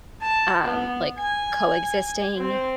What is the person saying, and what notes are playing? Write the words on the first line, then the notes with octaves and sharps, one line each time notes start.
um, like, coexisting.
A5
B3
G#5
C4